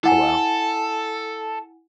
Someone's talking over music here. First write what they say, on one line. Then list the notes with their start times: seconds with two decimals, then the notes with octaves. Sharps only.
Oh, wow,
0.04 E4 A4 F#5 G#5